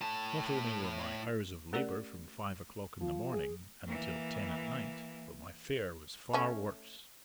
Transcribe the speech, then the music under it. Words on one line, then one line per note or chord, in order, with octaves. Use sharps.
Not only were my hours of labor from five o'clock in the morning until ten at night, but my fare was far worse.
A2 A5
A3 C#4 G4 A#4 D5 F#5
F3
G#4
E3 A#3
A3 C#4